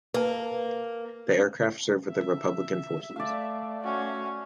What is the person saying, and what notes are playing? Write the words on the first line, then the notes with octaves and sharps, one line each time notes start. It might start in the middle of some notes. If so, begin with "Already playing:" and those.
The aircraft served with the Republican forces.
A#3 B4 A5
E5
A3 D5 F5
C#4 F#4